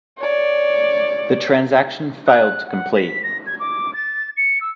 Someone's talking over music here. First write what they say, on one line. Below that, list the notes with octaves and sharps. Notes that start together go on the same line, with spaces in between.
The transaction failed to complete.
C#5 D5
F#6
F#5
B6
A#6
G#6
D6
A6
C#7
E6